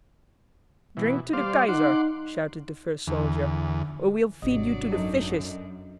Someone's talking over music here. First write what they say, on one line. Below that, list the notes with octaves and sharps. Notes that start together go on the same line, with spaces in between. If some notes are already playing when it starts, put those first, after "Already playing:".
Drink to the Kaiser!" shouted the first soldier, "or we'll feed you to the fishes!
B2 E3
G3 C5 D5 F5
D#4 F#5 C6 D6
E2 D3
G#1 C3 F#3 D4 D5 D#5
F#2 D#4 A4 D#5